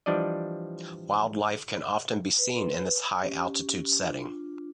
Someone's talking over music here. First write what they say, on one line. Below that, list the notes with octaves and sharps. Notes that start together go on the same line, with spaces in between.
Wildlife can often be seen in this high altitude setting.
E3 F3 G3 D4 D5 D#5
B4
C#4 G4
D4 F4